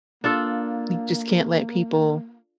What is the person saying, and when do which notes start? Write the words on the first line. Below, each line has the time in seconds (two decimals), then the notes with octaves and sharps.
you just can't let people
0.24 A#3 D4 F4 A4